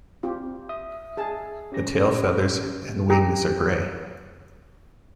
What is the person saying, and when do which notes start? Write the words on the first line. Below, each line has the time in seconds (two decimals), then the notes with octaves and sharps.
The tail feathers and wings are gray.
0.23 C4 F4 G4
0.69 E5 D#6
1.17 G#4 A5
1.72 C#4 G4 A#6
3.10 G4 A#5